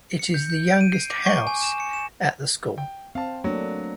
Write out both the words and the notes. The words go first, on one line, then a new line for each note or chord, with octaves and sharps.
It is the youngest House at the school.
C#7
G6
G6
D7
D#7
C7
D6
C#6
G#5
E7
C#7
E7
G5
C4 F5 A5
F#3 A3 A#3 D4